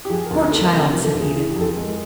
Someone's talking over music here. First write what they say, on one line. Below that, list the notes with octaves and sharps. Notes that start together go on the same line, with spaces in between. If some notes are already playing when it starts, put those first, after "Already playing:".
'Poor child!' said Edith.
G4
F3 G#4
A#4
D2
A#4
A3 A4
C3 A#4
A#4
F3
A4
D2
G#4
E3 G#4
G4
F2 A4
G#4
G#3 A#4